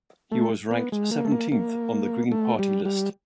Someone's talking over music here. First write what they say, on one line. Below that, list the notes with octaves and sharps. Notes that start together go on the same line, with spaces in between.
He was ranked seventeenth on the Green Party list.
A3
B3
G#3
A#3
A3
A#3
A#3
A3
G3
G3